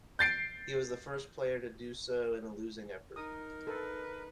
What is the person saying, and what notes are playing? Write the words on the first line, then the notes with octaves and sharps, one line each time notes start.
He was the first player to do so in a losing effort.
G6 A6 C7 D7
D#4 A#4 D#6
A4 B4